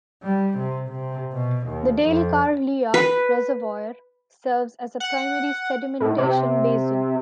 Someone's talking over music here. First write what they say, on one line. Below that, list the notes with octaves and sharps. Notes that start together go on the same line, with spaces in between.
The Dalecarlia Reservoir serves as a primary sedimentation basin.
G3
C3
C3
B2
D#2
F2
B4
F#5
A2
C3